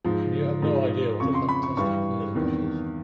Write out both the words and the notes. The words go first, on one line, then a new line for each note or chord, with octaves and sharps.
And you have no idea what a fantastic feeling that is!
G#2 F3
G#2 F3
F2 C#3 F3 C#6
C6
B5
C#6
G2 E3 G3 C#6
E2 C3 D#3